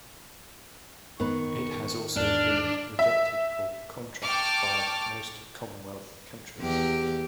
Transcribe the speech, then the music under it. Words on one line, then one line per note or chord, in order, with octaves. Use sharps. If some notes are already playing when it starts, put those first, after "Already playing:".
It has also been rejected for contracts by most Commonwealth countries.
F#2 D#3 B3 B4 C#6
E2 G#2 D4 F6
E5
G5 A5 C#6 D6 F6
E2 G4